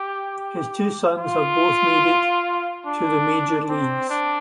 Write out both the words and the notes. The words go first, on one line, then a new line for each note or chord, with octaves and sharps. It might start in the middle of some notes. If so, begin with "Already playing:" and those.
His two sons have both made it to the major leagues.
Already playing: G4
F4
D4
C4
D4